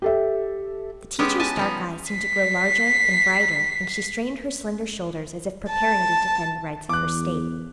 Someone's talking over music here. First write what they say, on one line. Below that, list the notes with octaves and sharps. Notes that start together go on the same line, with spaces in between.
The teacher's dark eyes seemed to grow larger and brighter, and she straightened her slender shoulders as if preparing to defend the rights of her State.
G4 A4 E5
G#3 B3 C#4 G4
G#5 A5
F3 B3 D#4
B6 C7
A5
E2 D6 F#6